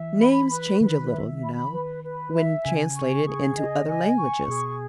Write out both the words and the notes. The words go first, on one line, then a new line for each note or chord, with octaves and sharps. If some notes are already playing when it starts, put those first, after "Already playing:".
Names change a little, you know, when translated into other languages.
Already playing: E3 E5
B5
B4
D#3 B4
E5
B5
B4
B4
E5
C#3 G#5
C#6
G#4
D#5
G#5
C#6
B2 G#4